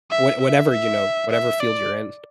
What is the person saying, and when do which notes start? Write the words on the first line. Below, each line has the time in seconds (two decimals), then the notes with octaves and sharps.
what whatever, you know whatever field you're in.
0.11 E5
0.41 E5
0.71 E5
1.31 E5
1.60 D5